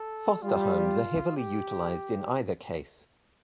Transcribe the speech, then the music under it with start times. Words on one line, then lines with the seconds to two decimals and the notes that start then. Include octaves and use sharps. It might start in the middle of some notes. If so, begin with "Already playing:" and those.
Foster homes are heavily utilized in either case.
Already playing: A4
0.42 G3 F4
1.37 G4